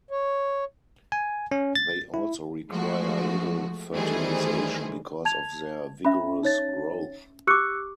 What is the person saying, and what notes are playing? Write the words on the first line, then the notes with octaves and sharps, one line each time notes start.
They also require little fertilization because of their vigorous growth.
C#5
G#5
C#4
A6
E4
F3 G#3 A3 F#4
D#3 E3 G3 A3 G#4 C5
A5 G#6 F7
C#4 E5 B5
D#4 C#5 A6
G4 D6 E6 F#6 C#7